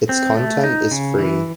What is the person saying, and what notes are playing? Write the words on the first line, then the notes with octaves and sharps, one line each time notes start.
Its content is free.
C4
A3
D#4
C#3
E3